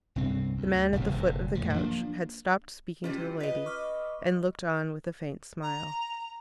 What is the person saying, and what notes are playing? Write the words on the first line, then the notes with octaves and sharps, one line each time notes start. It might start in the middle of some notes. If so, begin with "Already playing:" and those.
The man at the foot of the couch had stopped speaking to the lady, and looked on with a faint smile.
C2 G2 C4
D2
D#1 C2 F#2 G3
F1 A#2 D3
F2 A2 F3
F3 A#3 D4
G3 C4 C#4 F4 C5
B4 D#5
C#6 D6 F6
A#5